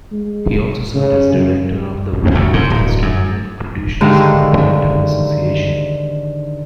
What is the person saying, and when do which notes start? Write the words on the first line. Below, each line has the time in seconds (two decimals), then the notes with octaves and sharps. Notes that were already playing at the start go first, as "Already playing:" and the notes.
He also served as director of the Winnipeg District Milk Producers Cooperative Association.
0.12 G#3
0.95 C#3
1.34 F#2
2.35 D2
2.53 G#2
2.70 D1
3.02 F#2
4.01 G#2 D3 D#3 G4 E5 F5